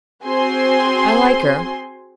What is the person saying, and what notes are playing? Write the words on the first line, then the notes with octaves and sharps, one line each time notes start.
I like her.
C4 F#4 G#4 C5 G#5 C6